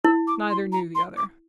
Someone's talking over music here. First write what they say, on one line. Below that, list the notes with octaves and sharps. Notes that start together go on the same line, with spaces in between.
Neither knew the other.
E4 E6
D6
C6
A#5
C6
D6